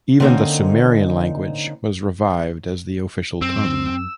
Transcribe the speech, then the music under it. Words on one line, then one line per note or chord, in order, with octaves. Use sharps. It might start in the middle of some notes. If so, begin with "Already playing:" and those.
Even the Sumerian language was revived as the official tongue.
D3 A#3 C4 C#4 D#4
F#2 C4 E6